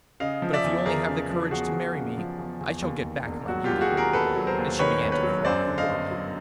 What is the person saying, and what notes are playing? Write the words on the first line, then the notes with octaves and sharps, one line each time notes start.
But if you only have the courage to marry me I shall get back my beauty.' And she began to cry bitterly.
C#3 D#5 F5
F3
D5 E5
E2
E2 G#4 A#4
C#3
F3
E2 F#4 G#4
E2
C#3
F3
E2
E2
D#2
D#3
E1
F#3 F#4
F4 G4
D#2
F#4 G#4
D#3
G#4 A#4
E1 A4 B4
F#3
A#4 C5
D#2
D#3 B4 C#5
E1
B4 C#5
F#3
F#2 C5 D5
D3
D#5 F5
G1
F#3